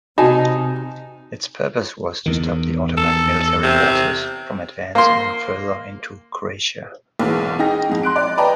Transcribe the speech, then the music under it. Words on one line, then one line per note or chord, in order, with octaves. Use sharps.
Its purpose was to stop the Ottoman military forces from advancing further into Croatia.
C3 D#4 F#4 G#5 A5
E2 D#3
A4
C3
A#3 C6
B1 E2 G#2
D#4 G#4 G5 A#6
F2 G#2
C6 F#6 D7
D5
B4 D5 D#5 G5 A5 A#5